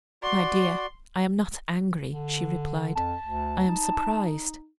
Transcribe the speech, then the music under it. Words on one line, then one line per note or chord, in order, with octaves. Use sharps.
'My dear, I am not angry,' she replied: 'I am surprised.
F#4 D5 C6
D3
F2 A5
D2
D#4